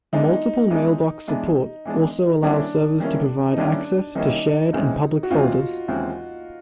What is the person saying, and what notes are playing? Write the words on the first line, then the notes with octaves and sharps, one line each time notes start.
Multiple mailbox support also allows servers to provide access to shared and public folders.
E3 G#3 B3 D4 D#4
E3 G#3 B3 D4
E3 G#3 B3 D4
E3 G#3 B3 D4
D#3 G3 A#3 C#4 D4 E4
D#3 G3 A#3 C#4 E4
D#4
D#3 G3 A#3 C#4 D4 E4
D#3 G3 A#3 C#4 D#4 E4
D#2 C#3 E3 G#3 C4
F#4
D#2 C#3 E3 G#3 C4 F4
D#2 C#3 E3 G#3 C4